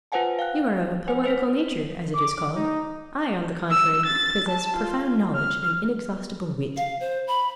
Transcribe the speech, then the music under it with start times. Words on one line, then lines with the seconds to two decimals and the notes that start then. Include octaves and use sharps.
You are of a poetical nature, as it is called--I, on the contrary, possess profound knowledge and inexhaustible wit.
0.12 F4 B4 C5 F#5 G#5 A5
0.39 F5 G5 F#6
1.08 B4 C5 F#5 G#5
1.24 B4 C5 B6
2.14 D6
2.55 D#4
3.70 E6
4.07 A6
4.49 A5
4.77 F4
5.35 F6
6.77 F5
7.00 C5
7.27 B5